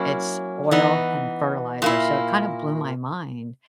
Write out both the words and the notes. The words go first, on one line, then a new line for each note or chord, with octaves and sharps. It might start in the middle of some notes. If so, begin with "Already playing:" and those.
It's oil and fertilizer, so it kinda blew my mind
Already playing: F#3 A#3 C#4 E4
E3 B3 D#4
A#2 A#3 E4